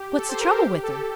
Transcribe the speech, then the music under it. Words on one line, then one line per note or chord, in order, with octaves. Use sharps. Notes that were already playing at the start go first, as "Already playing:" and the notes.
"What's the trouble with her?"
Already playing: G4
A4
C5
A#4
G4
G4
A4